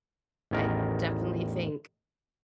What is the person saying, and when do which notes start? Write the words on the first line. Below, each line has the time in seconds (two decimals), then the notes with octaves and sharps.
I definitely think
0.51 A1 E2 D#3 A#4